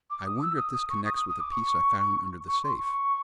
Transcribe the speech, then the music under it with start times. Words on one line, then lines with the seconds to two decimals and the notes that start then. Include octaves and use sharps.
"I wonder if this connects with the piece I found under the safe?"
0.10 D6
0.25 D#6
0.42 E6
0.57 D#6
0.73 D#6
0.89 C#6
1.05 D#6
1.17 D#6
1.29 D#6
1.40 D6
1.51 C#6
2.47 C#6
2.63 C6
2.78 C#6